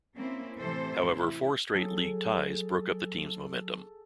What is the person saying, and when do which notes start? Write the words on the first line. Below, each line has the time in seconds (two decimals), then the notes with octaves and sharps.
However, four straight league ties broke up the team's momentum.
0.16 A#3 C4 C#4 E4
0.59 A2 C3 E3 A4 C5
1.08 E4
1.75 F#3 G#4 A4